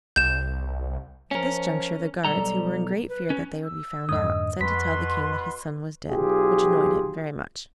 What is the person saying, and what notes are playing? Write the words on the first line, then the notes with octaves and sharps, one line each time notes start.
At this juncture the guards, who were in great fear that they would be found out, sent to tell the King that his son was dead, which annoyed him very much.
C2 G6 E7
F3 C#4 A#4
B1 G3 A4 A#5
B4
C#4
E6
F2 G#2 D3 D#5 D#6
F2 B2 F#4 B4 C6 B6
B1 F4 G4 G#4